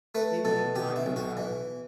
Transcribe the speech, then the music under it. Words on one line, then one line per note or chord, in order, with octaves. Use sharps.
anytime you have v
A3 B4
B2 A4
B2 G4
E4
B1
F#4
E3